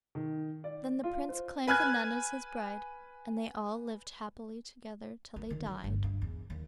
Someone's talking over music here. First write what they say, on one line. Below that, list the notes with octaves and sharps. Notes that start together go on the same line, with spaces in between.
Then the prince claimed the nun as his bride, and they all lived happily together till they died.
D#3
D5
F4
C5
B4 G#5 F6 F#6 G#6
A#3
D#3
F#3
G1
G2
E2
D#2